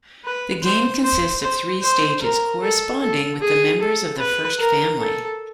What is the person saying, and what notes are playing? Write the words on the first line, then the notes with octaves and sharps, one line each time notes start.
The game consists of three stages corresponding with the members of the First Family.
B4
C5
C5
C5
C5
A#4
A4
A4
G#4
A4
B4
A#4
A4